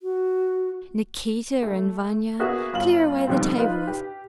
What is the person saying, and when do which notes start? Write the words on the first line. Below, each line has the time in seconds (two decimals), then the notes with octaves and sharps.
Nikita and Vanya--clear away the tables!
0.02 F#4
1.63 A3
2.39 A#3 B3 F#4 G#4 E5
2.73 G1 F4 F#7
3.27 B2 D#3 F3 G3 A3 C4
3.57 D#4 F4 B4
3.87 G4